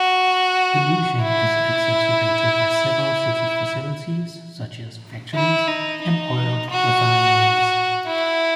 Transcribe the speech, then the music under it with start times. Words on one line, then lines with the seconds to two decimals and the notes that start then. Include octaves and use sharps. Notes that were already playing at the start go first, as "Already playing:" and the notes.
Pollution is exacerbated by several city facilities such as factories and oil refineries.
Already playing: F#4
1.22 E4
5.34 E4
5.67 D#4
6.02 D#4
6.70 F#4
8.07 E4